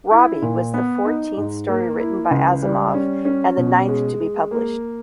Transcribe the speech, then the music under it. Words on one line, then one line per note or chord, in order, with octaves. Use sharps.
"Robbie" was the fourteenth story written by Asimov, and the ninth to be published.
E4
A#2
B3
D#4
G#2
A#3
E4
C#2
G3
C#4
C#4
B2
G#3
G#3
A#3